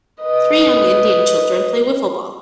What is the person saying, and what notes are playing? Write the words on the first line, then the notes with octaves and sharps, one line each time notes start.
Three young indian children play wiffle ball.
B4 D#5